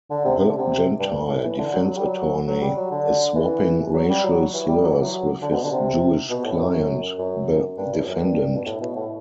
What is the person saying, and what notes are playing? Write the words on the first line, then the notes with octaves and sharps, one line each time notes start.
The gentile Defense Attorney is swapping racial slurs with his Jewish client, The Defendant.
D3
C3
C3
D3
C3
G2
A2
E3
D3
F#3
F#3
G3
F#3
F#3
G3
F#3
D3
E3
F#3
G3
F#3
E3
G3
F#3
E3
F#3
D3
C3
B2
D3
C3
B2
A2
F#2
F#2
G2
F#2
E2
F#2
G2
B2
A2
B2
A2